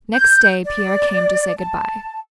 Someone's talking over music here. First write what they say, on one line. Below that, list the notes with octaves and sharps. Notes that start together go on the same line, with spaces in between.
Next day Pierre came to say good-by.
G6
D5
A5